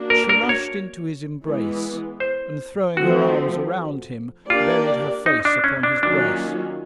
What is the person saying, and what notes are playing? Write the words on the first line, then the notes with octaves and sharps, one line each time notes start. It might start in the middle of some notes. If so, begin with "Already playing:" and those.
She rushed into his embrace, and throwing her arms around him, buried her face upon his breast.
Already playing: A#3 D4 F#4
A#4
A#4
C#5
E3 G#3 B3
C5
F3 A3 C4 F#4
A#3 D4 F4 G4 A#4 D5
D#4
D4
C#4
D4
D#3 F#3 A#3 C#4 D4 F4